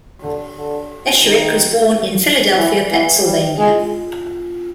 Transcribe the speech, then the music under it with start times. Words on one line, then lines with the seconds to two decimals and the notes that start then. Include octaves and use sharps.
Esherick was born in Philadelphia, Pennsylvania.
0.22 D3
0.56 D3
1.23 D#3
2.57 E3
2.91 E3
3.24 G3
3.58 G#3